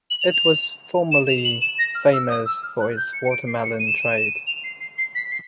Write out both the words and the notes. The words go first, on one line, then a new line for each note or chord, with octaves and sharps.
It was formerly famous for its watermelon trade.
F#7
F7
F7
E7
F7
F#7
E7
A#6
F6
E6
D#6
E6
F6
F#6
G6
C#7
C#7
D7
C7
C#7
D#7
E7
D#7
E7
D#7
E7
D#7
F7
C7
C7
C7
B6
C7